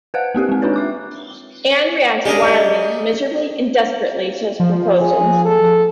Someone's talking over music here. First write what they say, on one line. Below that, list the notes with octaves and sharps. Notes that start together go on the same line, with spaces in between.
Anne reacts "wildly", "miserably" and "desperately" to his proposal.
B4 C5 F5 F#5 F#6
A#3 C4 G4 A#4
G#3 C4
D4 D#4 F4 B4 C#5
E5 D6 F#6
G#3 C#4 D4 G4 G#4 A#4 D#5
F3
G#4
A4